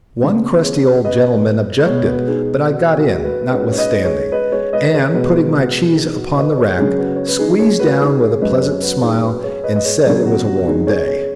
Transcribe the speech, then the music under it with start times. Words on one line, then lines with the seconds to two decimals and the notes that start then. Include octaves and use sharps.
One crusty old gentleman objected, but I got in, notwithstanding; and, putting my cheeses upon the rack, squeezed down with a pleasant smile, and said it was a warm day.
0.23 C#3 B3
0.64 G#4 C#5
1.05 B4 D#5
1.86 B2 G#3 B3 G#4 C#5
2.07 F#4 B4
2.28 D#4 G#4
2.68 F#4
2.96 F#4
3.17 G#4
3.23 F#4 B4
3.50 G#2 G#3 C#4 F#4 B4
3.72 C#5
3.77 B4 D#5
4.05 G#4 C#5
4.32 B4 D#5
4.52 G#4 C#5
4.73 B4 D#5
4.94 G#4 C#5
5.14 B2 G#3 B3 F#4 B4
5.54 F#4 B4
5.96 D#4 G#4
6.17 F#4
6.37 B4 D#5
6.57 G#4 C#5
6.77 C#3 F#3 C#4 G#4 C#5
6.98 F#4 B4
7.16 C#5
7.28 B4
7.39 D#4 G#4
7.59 G#4 C#5
7.80 F#4 B4
7.95 B4
8.00 D#4 G#4
8.20 G#4 C#5
8.41 F#2 F#3 C#4 B4 D#5
8.62 G#4 C#5
8.77 G#4
8.82 F#4 B4
9.02 D#4 G#4
9.23 F#4 B4
9.44 G#4 C#5
9.64 B4 D#5
9.76 D#5
9.85 G#4 C#5
10.05 C#3 F#3 B3 G#4 C#5
10.25 F#4
10.46 F#4
10.67 D#4 G#4
10.87 G#4 C#5
11.07 G#4 C#5